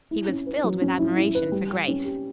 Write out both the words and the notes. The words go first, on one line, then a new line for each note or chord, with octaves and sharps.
He was filled with admiration for Grace.
E4
C#4
B4
F#3
C#4
E4
E4
B4
G3
G4
C#4
G4